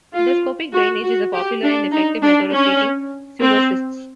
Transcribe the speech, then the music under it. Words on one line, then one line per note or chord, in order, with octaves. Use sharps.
Endoscopic drainage is a popular and effective method of treating pseudocysts.
F4
F#4
F#4
G4
D4
D#4
D4
C#4
C4